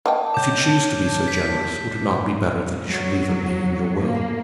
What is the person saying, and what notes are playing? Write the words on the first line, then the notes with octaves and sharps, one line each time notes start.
If you choose to be so generous, would it not be better that you should leave it me in your will?
A#3 D#5 G5 A5
C#5 D6 G6
B6
F#3
A#3